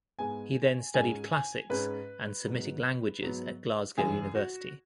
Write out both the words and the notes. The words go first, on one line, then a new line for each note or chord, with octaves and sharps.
He then studied Classics and Semitic Languages at Glasgow University.
G#2 G#3 B3 G#5
G#2 G#3 C#4 G#5
G#5
G#2 G#3 C#4 B4
G#2 F#3 B3
G#2 F#3 B3
F#2 C#3 E3 G#3 G#4
F#4